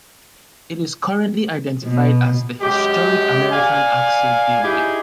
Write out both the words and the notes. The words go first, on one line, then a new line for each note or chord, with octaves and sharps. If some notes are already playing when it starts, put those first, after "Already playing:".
It is currently identified as the Historic American Axle Building.
B2
F#2 G#3 G4
D5 F5 G#5
D#4 E4 G4 G#4